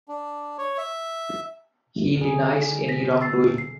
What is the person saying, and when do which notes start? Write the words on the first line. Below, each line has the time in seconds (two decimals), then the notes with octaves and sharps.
He denies any wrongdoing.
0.08 D4
0.58 C#5
0.78 E5
2.17 D3 G#4
2.52 D#4
2.89 A#6 B6
3.21 E6 A6 C7
3.58 C7